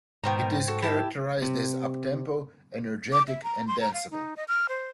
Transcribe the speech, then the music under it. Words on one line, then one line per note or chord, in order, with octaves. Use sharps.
It is characterized as uptempo, energetic, and danceable.
G#2 B2 D#3 C5 G5 A#5
F#4 A4
E4 G4 A5
C3
D6
E5
A#5
C6
A#5
F5
D#4
D#5
F6
C5